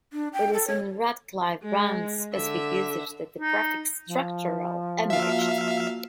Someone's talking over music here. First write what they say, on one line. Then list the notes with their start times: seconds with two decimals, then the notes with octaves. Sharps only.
It is in Radcliffe-Brown's specific usage that the prefix 'structural' emerged.
0.13 D4
0.33 G5
0.53 A4
0.68 C#5
1.63 G#3
2.34 D3 E5
3.39 D#4
4.07 F3
5.10 A#3 F4 F#4 E5 F5